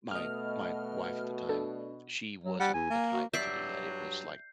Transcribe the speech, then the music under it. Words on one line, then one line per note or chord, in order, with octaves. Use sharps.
my my wife at the time, she wasn't the type to do that, it was like,
B2 A3 D#5 F6
D4 A4
F#3
G3 F#5
E2 G#5
A#3
F#4
G2 F#3 D5 E5 G6 C7